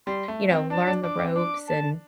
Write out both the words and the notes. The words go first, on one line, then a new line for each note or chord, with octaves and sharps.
you know, learn the ropes and
G3 C6
A3
C4
D4 A5
D4
D4 D6
C4
D4 D6
A5